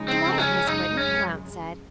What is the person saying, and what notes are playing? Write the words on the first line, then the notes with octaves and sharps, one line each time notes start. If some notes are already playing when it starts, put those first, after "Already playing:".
"Delighted, Miss Quinton," Blount said.
Already playing: C#3 F3 G#3 D#4
C4
C#4
F#2 C#3 G#3 D#4
C#4